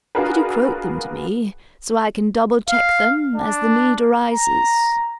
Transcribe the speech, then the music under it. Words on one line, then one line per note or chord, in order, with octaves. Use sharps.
"Could you quote them to me, so I can double-check them as the need arises?"
D4 F4 F#4 G#4 A#4 B4
F5
D4
A#5